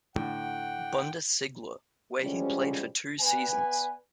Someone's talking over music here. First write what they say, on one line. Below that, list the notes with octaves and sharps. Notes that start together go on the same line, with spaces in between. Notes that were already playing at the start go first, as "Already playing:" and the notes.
Bundesliga, where he played for two seasons.
A2 D3 F#5 G5
D2 C3 F3 G3 G#3 C#4
B3 B4 D5 G#5